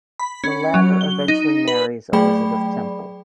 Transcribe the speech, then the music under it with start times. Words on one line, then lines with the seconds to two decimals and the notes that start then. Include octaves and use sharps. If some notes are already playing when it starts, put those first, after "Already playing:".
The latter eventually marries Elizabeth Temple.
0.19 B5
0.44 C#4
0.74 F#3
1.01 G7
1.28 D#4
1.68 B4
2.13 F#3 A3 G#4 D5 G5 B5